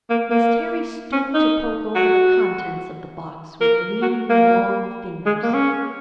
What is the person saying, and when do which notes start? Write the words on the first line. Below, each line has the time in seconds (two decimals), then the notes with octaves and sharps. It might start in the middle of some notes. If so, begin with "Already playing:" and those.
Miss Terry stooped to poke over the contents of the box with lean, long fingers.
0.10 A#3
0.31 A#3
1.12 C#4
1.34 D#4
1.95 F#4
3.61 A#4
4.02 F#4
4.29 A#3
5.26 G#3
5.43 A#3
5.54 C#4